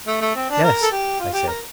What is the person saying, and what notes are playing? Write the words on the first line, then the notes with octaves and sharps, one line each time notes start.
"Yes," I said.
A3
A3
C4
D4
A#4
A4
G4
F4
G4
A#4